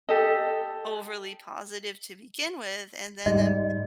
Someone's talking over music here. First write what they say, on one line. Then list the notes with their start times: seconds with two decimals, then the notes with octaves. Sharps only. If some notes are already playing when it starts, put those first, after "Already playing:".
overly positive to begin with, and then I'm
0.09 G4 A4 D#5
3.26 G#2 G3 D#5